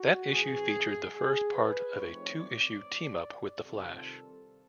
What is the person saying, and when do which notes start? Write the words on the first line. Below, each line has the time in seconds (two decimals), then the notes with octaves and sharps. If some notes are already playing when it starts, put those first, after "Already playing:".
That issue featured the first part of a two-issue team-up with the Flash.
Already playing: F#4
0.31 A2 E3 A3 C4 G#4
1.13 G#4
1.55 B4
1.96 F3 A3 C4 D#4 C#5
2.37 D5
3.60 C3 D#3 G3 C4 F4 A4